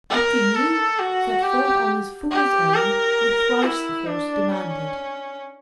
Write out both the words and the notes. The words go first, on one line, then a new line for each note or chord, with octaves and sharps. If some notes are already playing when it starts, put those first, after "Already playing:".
Ottigny set forth on this fool's errand with thrice the force demanded.
A#4
A4
F#4
G4
G4
A#4
E4
D4
C#4